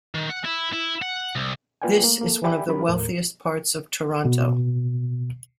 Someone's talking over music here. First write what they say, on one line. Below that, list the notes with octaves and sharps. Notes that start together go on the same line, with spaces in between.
This is one of the wealthiest parts of Toronto.
D#3
F#5
E4
E4
F#5
C2
A#3 F4 B4 D5 G5 G#5
A3 A#3
A#3 A4
G4 D5 E5 G5 G#5 B5
F#3 C#4 G4 A#4 B5
D#2 A2 A3 A#4
B2